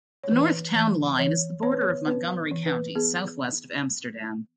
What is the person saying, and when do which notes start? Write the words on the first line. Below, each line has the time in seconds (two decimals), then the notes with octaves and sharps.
The north town line is the border of Montgomery County, southwest of Amsterdam.
0.24 C#5
0.31 E3 B4
0.76 E3
1.19 E3 C#5
1.63 B3 C#5
1.72 B4
1.81 C#5
2.07 B3 B4
2.51 E3
2.66 B4
2.95 B3 G#4